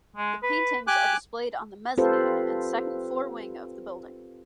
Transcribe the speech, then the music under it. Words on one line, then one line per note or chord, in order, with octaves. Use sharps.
The paintings are displayed on the mezzanine and second floor wing of the building.
G#3
B4
G4 G#5 D6 F#6
C4 F4 G4 A4 B4 C5